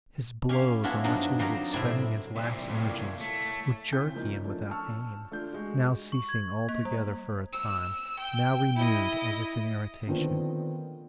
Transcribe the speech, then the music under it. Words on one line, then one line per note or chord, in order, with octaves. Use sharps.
His blows, on which he was expending his last energies, were jerky and without aim; now ceasing altogether for a time, now renewed as if in irritation.
C#4 G4 C#5 F5
F#3 B3 C#4 D4 E4 F4
G2 F3 F#3 D4 D#4
F3 F#3 C4 D#4 G4 A#4
A2 C3 C4 E4 D5
C2 A#2 C4 D5 E5
A2 C#5 F5
A3 C#6
C#3 C4 E4 G5 G6
F3 A#3 C#4 D#4
F3 A3 C#4 D4
A5 C#6 E6 F6
A3 D4 F4 G6
G#3 F#4
C#6
G#6
A#3
G3
E6
G5
E4 D#5
A#2 D3 D#3 F3 B3 C4